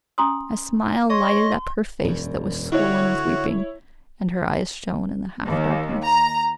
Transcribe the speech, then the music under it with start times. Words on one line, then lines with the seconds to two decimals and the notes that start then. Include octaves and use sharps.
A smile lighted up her face that was swollen with weeping, and her eyes shone in the half darkness.
0.18 C#4 G#5 A#5 C6 D#6
1.10 C#5 D#5 C6
2.04 E1 F#2
2.72 D3 E4 F#4 C#5
5.47 D#2
6.06 A#5